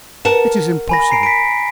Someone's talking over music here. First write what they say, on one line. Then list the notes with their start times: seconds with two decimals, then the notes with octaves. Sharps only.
It is impossible.
0.25 A#4 F#5 A5
0.89 G#5 B5 A#6
1.10 A#5 C7 D7
1.23 B6 D7